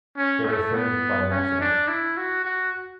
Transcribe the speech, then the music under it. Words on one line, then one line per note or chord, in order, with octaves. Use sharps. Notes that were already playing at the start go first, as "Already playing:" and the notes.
It was saved by an accident.
C#4
A3
B3
C#4
D4
E4
F#4
F#4